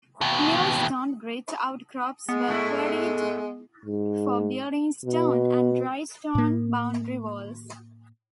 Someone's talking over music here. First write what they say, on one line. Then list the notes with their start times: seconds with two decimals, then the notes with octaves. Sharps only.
Millstone grit outcrops were quarried for building stone and dry stone boundary walls.
0.21 D#2 B2
2.29 G#3 B3
2.48 G#2 A3 E4
3.86 G#2
5.04 B2
6.35 A2 A#3